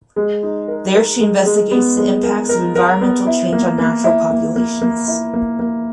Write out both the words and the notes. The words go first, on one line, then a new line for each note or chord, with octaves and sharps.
There she investigates the impacts of environmental change on natural populations.
G#3
D#4
A#4
A#4
G#3
G#3
B3
G#3
A#4
A#4
A#4
B3
E4
A#3
A#3
E4
A#3
A#3
A#3
E4
A#3
A#3